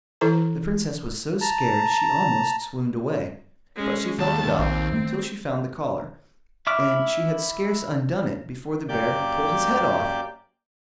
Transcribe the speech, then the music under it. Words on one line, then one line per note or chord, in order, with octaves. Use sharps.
The Princess was so scared she almost swooned away; but she felt about till she found the collar, and she had scarce undone it before the bear pulled his head off.
E3 E4 A4 B4 A#5
A5 A#5
G#3 C#4
D#2 A5
A#1 C4
D#3 A3 A#3
E4 E5 D6 F6
F#2 A#3 G4 D5 D6 G6